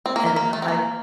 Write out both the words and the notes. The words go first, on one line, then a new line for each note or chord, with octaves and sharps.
and I
C4
A#3
A#3
A#3
A3
C4
A#3